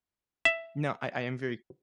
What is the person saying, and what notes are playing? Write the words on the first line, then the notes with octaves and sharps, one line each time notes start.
No, I I am very
E5